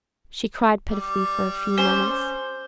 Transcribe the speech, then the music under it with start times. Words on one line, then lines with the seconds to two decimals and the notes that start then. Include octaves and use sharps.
She cried pitifully for a few moments.
0.89 G3 D5
1.78 C#4 C5 G#5